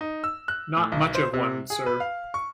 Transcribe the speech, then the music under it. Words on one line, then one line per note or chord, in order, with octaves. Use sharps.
Not much of a one, sir.
D#4
E6
F#6
A2
B1
C5
C3
G#4
B4
F5
C#6